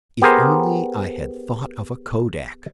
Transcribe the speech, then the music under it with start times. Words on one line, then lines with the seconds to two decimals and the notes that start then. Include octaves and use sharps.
If only I had thought of a Kodak!
0.22 B3 G4 G#4 A#4 C5